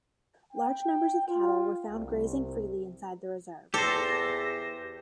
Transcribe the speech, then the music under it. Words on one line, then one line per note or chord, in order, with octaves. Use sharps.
Large numbers of cattle were found grazing freely inside the reserve.
G5
F4
C2
E2 G4 A4 C5 A#6